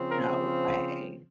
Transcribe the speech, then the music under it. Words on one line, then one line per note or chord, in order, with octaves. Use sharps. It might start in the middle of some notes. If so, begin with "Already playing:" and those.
No way.
Already playing: C#3 F3 C4
A#4